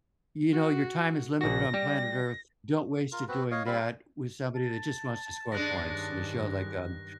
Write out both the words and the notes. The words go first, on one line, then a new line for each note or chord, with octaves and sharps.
you know, your time is limited on planet Earth, don't waste it doing that with somebody that just wants to score points, and to show, like, um,
F#4
A#1 F#4 A#6
G3 G4
F4 A#4
B3 C4 F#4 B4
C#5 D#5 F5
G3 C4 F5 B5
A#4 F5
A5
G2 D#3 G#3 C#4 D4 F#6 A#6